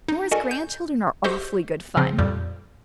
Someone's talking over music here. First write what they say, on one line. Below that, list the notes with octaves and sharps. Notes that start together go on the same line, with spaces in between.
Nora's grandchildren are awfully good fun.
D#4
F#4 A4 A#4 D5 D#5 G#5
G6
F#4 G4 A4 C5 D#5
C#3 F3 C4
F2 A#2 G3